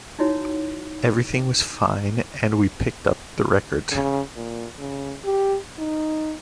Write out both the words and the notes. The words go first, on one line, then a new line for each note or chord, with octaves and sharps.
Everything was fine and we picked up the record.
D#4 E4 F#4 C#5
C#3
A#2
C#3
G4
D#4